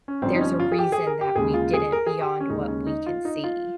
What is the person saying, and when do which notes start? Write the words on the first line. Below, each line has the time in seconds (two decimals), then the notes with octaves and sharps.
there's a reason that we didn't beyond what we can see.
0.08 C#4
0.22 G1 G2 F3 C4
0.35 D#4
0.41 C#4
0.60 F4
0.72 G#4
0.79 G4
0.92 G#4
1.07 A#4
1.21 G4
1.36 D#2 C#3 G#3 G#4
1.54 F4
1.73 G#4
1.92 A#4
2.07 G#4
2.21 G4
2.40 C#4
2.49 D#2 C#3 G#3 D#4
2.68 C#4
2.87 D#4
3.06 F4
3.25 D#4
3.44 F4